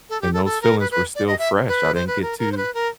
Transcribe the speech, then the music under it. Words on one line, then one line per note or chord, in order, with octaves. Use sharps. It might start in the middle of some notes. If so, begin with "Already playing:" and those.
And those feelings were still fresh. I didn't get to
A4
G4
A4
A4
A#4
B4
B4
D5
D#5
E5
B4
C5
B4
A#4
A#4
C5
B4
A#4